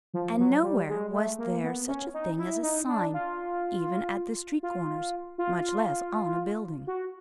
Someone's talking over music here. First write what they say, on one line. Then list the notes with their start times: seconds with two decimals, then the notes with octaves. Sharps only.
And nowhere was there such a thing as a sign, even at the street corners, much less on a building.
0.14 F3
0.39 F#3
0.63 G3
0.89 G#3
1.13 A3
1.39 A#3
1.64 B3
1.88 C#4
2.14 D#4
2.39 E4
2.63 D#4
2.88 D4
3.14 F4
4.63 F4
5.38 F4
6.87 F#4